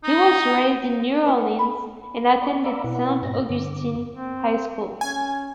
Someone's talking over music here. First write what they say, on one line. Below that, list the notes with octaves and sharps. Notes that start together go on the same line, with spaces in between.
He was raised in New Orleans and attended Saint Augustine High School.
D#4
C#4 E4 B4 D#5
F#5
B5
D5 C#6 D6
D5 F5 A#5 B5 D6 E6
B2 E4 B4 F#5
G#2 A#6
G2 D3 D6
C4
C#4 G#5